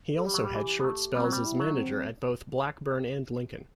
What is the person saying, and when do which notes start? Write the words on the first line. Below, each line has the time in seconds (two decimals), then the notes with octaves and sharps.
He also had short spells as manager at both Blackburn and Lincoln.
0.16 A4
0.25 G3 G4
0.34 F#3
0.44 G3
0.55 E3
0.80 B3
0.84 A3
1.15 G3 C4
1.24 F#3
1.32 G3
1.45 E4
1.60 F#3
1.75 C4